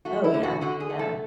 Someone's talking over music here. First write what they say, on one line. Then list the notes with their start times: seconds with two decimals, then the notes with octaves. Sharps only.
Oh, yeah. Yeah.
0.05 A3 F#4
0.24 E4
0.34 D3
0.43 F#4
0.61 D3 F#4
0.80 G#4
0.90 A3
0.99 A4